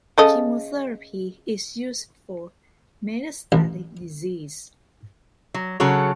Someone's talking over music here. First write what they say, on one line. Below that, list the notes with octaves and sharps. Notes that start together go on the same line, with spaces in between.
Chemotherapy is used for metastatic disease.
C#3 A4 D#5
A1
F#3
C#3 F#3 F#4 A4 C#5